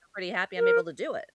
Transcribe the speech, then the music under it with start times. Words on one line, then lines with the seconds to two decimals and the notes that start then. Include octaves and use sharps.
I'm pretty happy I'm able to do it.
0.57 A#4